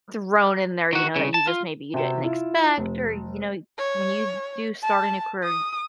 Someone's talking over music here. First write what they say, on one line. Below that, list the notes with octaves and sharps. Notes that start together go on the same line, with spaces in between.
thrown in there, you know, that you just maybe you didn't expect or, you know, when you do start a new career,
D#3 F#4
C2 C#3
A5
F4
C3 C4 F#4 G5 E7
E4 F4
F1
C#5
A5
D#6